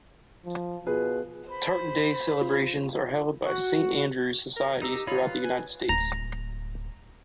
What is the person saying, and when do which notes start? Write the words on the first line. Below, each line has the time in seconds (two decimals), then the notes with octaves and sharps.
Tartan Day celebrations are held by Saint Andrew's Societies throughout the United States.
0.45 F3
0.86 B2 F4 G#4 B4
1.50 C5 B5
2.41 F4
3.45 F#4
4.56 A#4
4.82 D#4 G4 A#5 E6
5.07 D#4 F4 C#5 B5
5.26 B4
5.44 G#5
5.89 D1 A#5